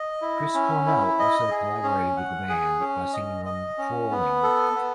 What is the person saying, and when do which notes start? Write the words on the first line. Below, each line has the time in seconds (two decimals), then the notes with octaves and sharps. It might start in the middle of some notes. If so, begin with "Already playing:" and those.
Chris Cornell also collaborated with the band by singing on "Crawling".
Already playing: D#5
0.22 E4
0.54 C#4
0.86 E4
1.19 D#5
1.51 G#4
1.83 C#4
2.17 F#5
2.49 G#4
2.80 C#4
3.14 D#5
3.46 D#5
3.78 C#4
4.11 B3
4.43 A4
4.75 B3